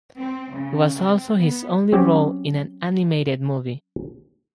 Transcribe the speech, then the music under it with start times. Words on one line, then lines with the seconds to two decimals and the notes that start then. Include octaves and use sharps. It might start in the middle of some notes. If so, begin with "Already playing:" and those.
It was also his only role in an animated movie.
0.19 C4
0.53 C#3
0.98 C4
1.40 B3
1.93 F#3 C4 C#4 G4